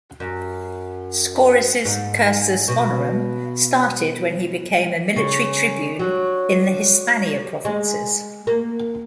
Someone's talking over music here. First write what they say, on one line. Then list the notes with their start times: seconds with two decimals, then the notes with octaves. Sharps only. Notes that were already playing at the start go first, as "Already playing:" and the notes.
Scaurus' "cursus honorum" started when he became a military tribune in the Hispania provinces.
0.20 F#2
1.85 G#2
2.68 B2
5.16 C#3
5.99 F#3
7.65 G#3
8.47 A#3